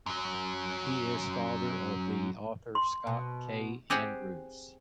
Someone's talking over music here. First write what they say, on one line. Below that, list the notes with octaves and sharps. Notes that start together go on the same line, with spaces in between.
He is father of the author Scott K. Andrews.
F#2 F#3
C6
B2
C4 G4 G#4 C5 F#5 G5